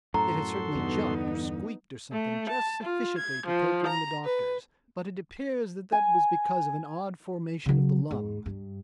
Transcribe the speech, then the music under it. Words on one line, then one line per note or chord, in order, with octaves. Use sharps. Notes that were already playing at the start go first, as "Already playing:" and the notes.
It had certainly jumped or squeaked or something just sufficiently to take in the doctors, but it appears that that was because of an odd formation of the lungs.
F#2 A2 F#4 A4 A#5 C6
E2 G2 D3 B3 D#4
A3
A5
F4
G#6
F3
A#5
B4
G#5
C#3 F#3
G#2
G2